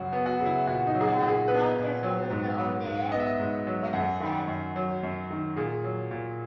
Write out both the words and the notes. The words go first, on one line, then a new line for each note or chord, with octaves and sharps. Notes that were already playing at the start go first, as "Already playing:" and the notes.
"I have no tears for Mr. Odeh," Rubin said.
Already playing: F#2 C#3 F#3 F#4
B3
F#4
C#3
E4
A#2 F#4
D#4
F#3
G#4
F#4
A#2
G#4
B3 B4
A#2
F#3
G#2
F#3
G#2
B3 D#5
E5
D#5
G#2
F#3
F#2 F#5
D#3
F#2
F#3
F#2
D#3
A#2 G#4
F#3
A#2